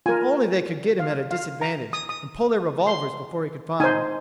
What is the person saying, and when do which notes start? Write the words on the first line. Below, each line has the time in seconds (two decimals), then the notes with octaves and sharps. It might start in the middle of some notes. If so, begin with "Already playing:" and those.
If only they could get him at a disadvantage, and pull their revolvers before he could fire.
0.06 F4 A#4 G#5
1.00 F5
1.31 F5
1.61 A#5
1.93 D#6
2.09 D#6
2.87 C6
3.80 D#4 C5 G#5